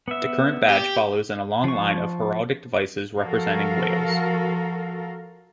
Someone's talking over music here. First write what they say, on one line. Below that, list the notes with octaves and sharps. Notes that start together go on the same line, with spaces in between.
The current badge follows in a long line of heraldic devices representing Wales.
B3 E5
G4
F3 C#6
F3 F#4 A4 A#4 F5